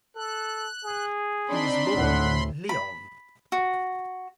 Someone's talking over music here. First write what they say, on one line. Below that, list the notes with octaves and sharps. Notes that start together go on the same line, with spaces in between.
He was born in Lyon.
A4 F#6
G#4
C4 D4 D#4 B5 C6
D2 A2 F#5
B5
F#4